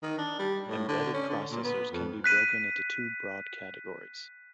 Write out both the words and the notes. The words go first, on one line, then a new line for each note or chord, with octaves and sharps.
Embedded processors can be broken into two broad categories.
D#3
D4
G3
A2
D3
C#4
D3
A#2
B3
F2
F#6 B6 D#7